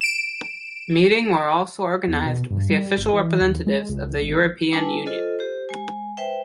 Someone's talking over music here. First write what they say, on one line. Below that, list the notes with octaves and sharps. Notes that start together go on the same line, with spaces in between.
Meeting were also organized with the official representatives of the European Union.
D7 E7
E2
B2
G2
G3
G1
E3
D#2
G#3
C#2
G#1
G3 D4 E4 B4 G#5 A5
F4 A4 C5 D#5
G4 C5
G#3 G#5
B4 C5 E5 G5